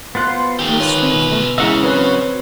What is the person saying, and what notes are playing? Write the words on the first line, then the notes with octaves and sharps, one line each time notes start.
That is frightful.
B3 F4 C5 F#6 A6
D#3 A3 G4
F4 B4 C#5
B2
C#3 E3 G#3 E5 F#5 A#5 A#6
F#3 C4 B4 C#5